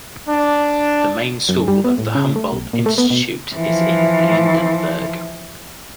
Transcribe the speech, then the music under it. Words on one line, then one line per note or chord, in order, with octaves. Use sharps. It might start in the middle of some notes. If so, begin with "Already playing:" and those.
The main school of the Humboldt Institute is in Lindenberg.
D4
F#2
G3
B3
A2
C#3
A3
B1
A#2
A3
B3
B2
E3 F3